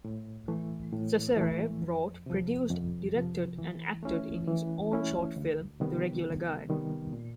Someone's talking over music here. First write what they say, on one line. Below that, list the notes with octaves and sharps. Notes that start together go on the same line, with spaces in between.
Cecere wrote, produced, directed and acted in his own short film, "The Regular Guy".
A2
E3 A3
A2
E3 A3
F2
C3 F3
F2
C3 F3
E3
A3 C#4 E4
E3
A3 C#4 E4
D2
C3 D#3 G3 B3
D2
C3 D#3 G3 B3
A#2